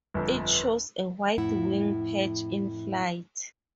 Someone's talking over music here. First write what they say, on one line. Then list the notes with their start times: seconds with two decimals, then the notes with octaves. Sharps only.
It shows a white wing patch in flight.
0.14 G1 F2
1.38 F2 A2 E4 F#5